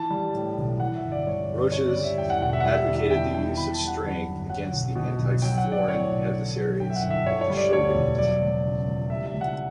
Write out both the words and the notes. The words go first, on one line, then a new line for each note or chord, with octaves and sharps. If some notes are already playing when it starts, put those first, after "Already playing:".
Roches advocated the use of strength against the anti-foreign adversaries of the Shogunate.
Already playing: E3 A5
G3
A2
B1
E3 F#5
E5
G1
D5
G2 C#5
G1
C#3 C#5
D5
G3
E5
E2 G5
F#5
E1 F#5
E5
F#5
G3 E5
E2
E5
B2 G5
E2 G5
E3 B5
A5
G3
F#5
F#2
G1
F#3 F#5
B1
B2
B1
F#3 G5
F#5
B1
D5
A2 C#5
B1
D3
F#3
F#2 G5
E5
F#5
G1
E5
D3 C#5
C#5
G3
D5
D2 C#5
E1
F#3 D5
C#2
C#3
C#2
G3 E5
E5
C#2
F#5